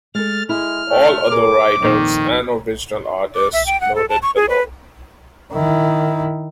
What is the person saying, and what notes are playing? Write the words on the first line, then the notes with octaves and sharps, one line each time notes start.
All other writers and original artists noted below.
G#3 A4 F6 A6
G#3 E4 F6
A3
G#4 A#4 D6
F2 A#2 D#3 D#4
D6
E5
G5
F#5
A4
A5
C#6
G#4
B4
D#3 E4